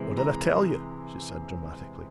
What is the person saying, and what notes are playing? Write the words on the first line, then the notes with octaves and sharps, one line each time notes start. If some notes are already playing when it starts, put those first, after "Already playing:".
"What did I tell you?" she said dramatically.
Already playing: C3 E3 G#3
A#5